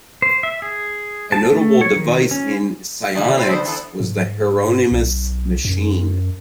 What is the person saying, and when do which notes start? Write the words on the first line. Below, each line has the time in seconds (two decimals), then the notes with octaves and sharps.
A notable device in psionics was the Hieronymus machine.
0.22 C5
0.43 E5
0.62 G#4
1.32 A5
1.53 A3
1.81 C#5
1.96 D#3
2.31 C#4
3.15 D3 E3
3.38 C4 B4
3.50 D3 B3 C5
3.65 E3 B3 A4
4.00 G#2
4.92 B1
5.65 F#2